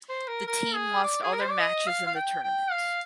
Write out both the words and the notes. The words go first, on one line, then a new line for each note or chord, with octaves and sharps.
The team lost all their matches in the tournament.
C5
A#4
A#4
G#4
D5
G#4
A#4
C5
D5
D#5
F5
F5
G5
G5
F5